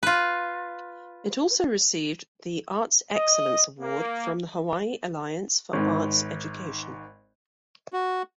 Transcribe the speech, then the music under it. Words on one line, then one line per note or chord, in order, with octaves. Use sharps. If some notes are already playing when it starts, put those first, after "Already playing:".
It also received the Arts Excellence Award from the Hawaii Alliance for Arts Education.
F4 B4
D#5
A#3
G#1 G#2
F#4